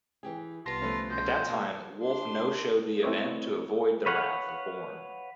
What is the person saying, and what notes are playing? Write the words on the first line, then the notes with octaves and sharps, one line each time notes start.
At that time Wolfe no-showed the event to avoid the wrath of Borne.
E3 G4 G#4
C2 G3 B3 F4 A5 C6 A#6
D3 F3 A3 C#4 A4 B4
B2 C#4 C5
A#3 F4 A#4 F5 A5
D4 C6
A3 C4 E4 B4 C#5 D#5
B4 C#5 F5 F#5